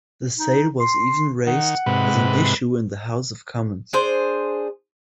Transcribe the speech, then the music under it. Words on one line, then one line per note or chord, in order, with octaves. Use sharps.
The sale was even raised as an issue in the House of Commons.
D#4
C6
D#3 F#5
G#2 C3 B4
D4 G#4 C5